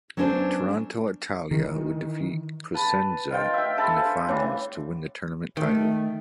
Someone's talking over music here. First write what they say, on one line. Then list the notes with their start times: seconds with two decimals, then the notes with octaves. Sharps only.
Toronto Italia would defeat Cosenza in the finals to win the tournament title.
0.17 F#3 B3 C#4 D4 A4 C5
1.51 D#3 E3
2.74 B4 A5
3.30 D#3 F4 G5
3.54 E5 G5
3.77 F4 A4 A5 B5
3.97 C5 G#5
4.29 A2 C#3 E3 D4
5.57 D#3 A3